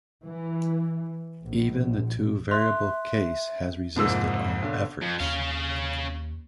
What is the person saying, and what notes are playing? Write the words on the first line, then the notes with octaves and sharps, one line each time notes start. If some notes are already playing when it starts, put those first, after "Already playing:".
Even the two variable case has resisted all efforts.
E3
A#1
E5 C6 F#6
C2 F2 G#2 A#3 E6
B1 D3
F2
D#2 C#4 F5